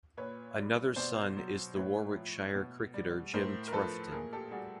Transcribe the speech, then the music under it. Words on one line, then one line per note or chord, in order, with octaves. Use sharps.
Another son is the Warwickshire cricketer Jim Troughton.
A#2 B4 C#5
G3
B2 C5 D5
F#3
A2 B4 C#5
F3
B2
G3
A2 A#4 C5
A#4
F3 A4 B4
A#2 G#4 A#4
G4 A4
G3 F#4 G#4